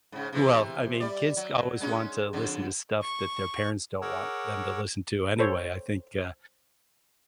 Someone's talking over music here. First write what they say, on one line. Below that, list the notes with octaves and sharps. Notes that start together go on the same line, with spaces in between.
Well, I mean, kids always want to listen to stuff that their parents don't want them to listen to anyway. I think, uh,
G#2 C#3
C3 E3 A3
G3 D5
F#3
G#3 C#4 D#4
F2 D3
C#6
G#4 A#4 C#5 F#5 D6 E6
A4 C5 C#5